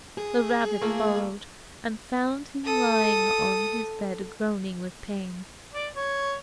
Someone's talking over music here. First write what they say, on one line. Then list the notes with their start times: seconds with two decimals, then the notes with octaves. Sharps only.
The rabbit followed and found him lying on his bed groaning with pain.
0.18 G#4
0.82 A3 A#3 F4
2.64 A4 D#6
5.73 D5
5.96 C#5